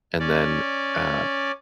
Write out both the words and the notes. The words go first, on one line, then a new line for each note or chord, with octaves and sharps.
and then uh,
C#4 D5